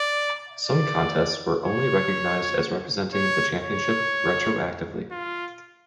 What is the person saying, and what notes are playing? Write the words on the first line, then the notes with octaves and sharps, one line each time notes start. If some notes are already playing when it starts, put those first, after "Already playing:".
Some contests were only recognised as representing the Championship retroactively.
Already playing: D5
D5
C#5
C#5
C#5
F4